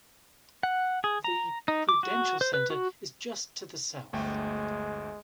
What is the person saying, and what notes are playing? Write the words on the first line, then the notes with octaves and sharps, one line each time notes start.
The Prudential Center is just to the south.
F#5
G#4
A#5
D#4
D6
F#4
C5
B4
F#4
G1 D2 G#3 A3 G5